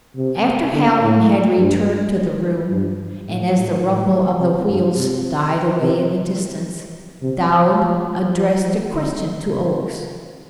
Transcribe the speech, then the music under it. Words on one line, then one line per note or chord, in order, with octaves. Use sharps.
After Hallen had returned to the room, and as the rumble of the wheels died away in the distance, Dowd addressed a question to Oakes.
C3
D3
A2
G2
G2
A2
A2
A2
C3
G2
C3
C3
C3
F3
F3
F3
F3
D3
C3